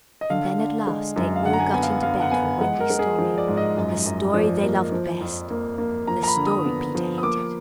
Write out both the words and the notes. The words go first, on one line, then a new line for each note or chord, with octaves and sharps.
And then at last they all got into bed for Wendy's story, the story they loved best, the story Peter hated.
D#5
D3 F5
D3
G#3
F#2
F5
D3 F#5
A#5
G#5
B3 G#5
F5
F#5
D3 F5
F#5
B3 G#5
G#3 F#5
A#4
G#3
G#4
F3
D5
G#2
D#5
F#2
F#2
F3 D5
A#3
F3
F2
A#3
A#3
F3 A#5
A#5
B5
D3
D#6
B3
F3
D#6
A#3 D6